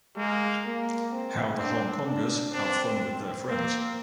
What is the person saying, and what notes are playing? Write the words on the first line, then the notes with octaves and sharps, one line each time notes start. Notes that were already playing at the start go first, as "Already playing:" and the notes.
How the Hongkongers have fun with their friends.
G#3 A#3
A#3
C4
C4 D4
D4
C4 D4
A#3 C4